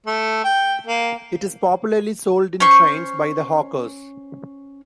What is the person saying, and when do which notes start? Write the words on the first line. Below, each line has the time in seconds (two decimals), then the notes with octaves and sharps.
It is popularly sold in trains by the hawkers.
0.07 A3
0.44 G5
0.87 A#3
2.60 C#4 C5 C#6